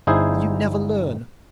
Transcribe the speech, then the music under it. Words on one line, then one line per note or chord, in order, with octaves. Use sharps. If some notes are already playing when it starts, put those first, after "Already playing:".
Will you never learn?
G1 D#4 E4 G#4 C5